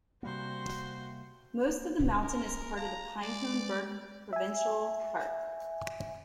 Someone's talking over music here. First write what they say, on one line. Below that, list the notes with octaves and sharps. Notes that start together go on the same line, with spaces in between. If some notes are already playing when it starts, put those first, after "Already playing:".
Most of the mountain is part of Pinecone Burke Provincial Park.
C3 G3 A#3 F#4 C5
A#4
F5 A5 A#5
G#3 D5
E5 G#5